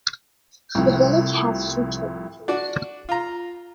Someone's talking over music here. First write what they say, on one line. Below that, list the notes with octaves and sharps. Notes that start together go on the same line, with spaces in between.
The village has two churches.
C2 A2 C3 F3
D4 F#4
F4 A#5